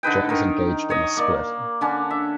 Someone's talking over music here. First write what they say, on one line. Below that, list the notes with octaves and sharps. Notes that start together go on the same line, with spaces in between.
James engaged in a split.
D3 D#4 B4 G5
D#3 A#4
C#5 D#5
A#3 D5
D3 C#4 D4
E5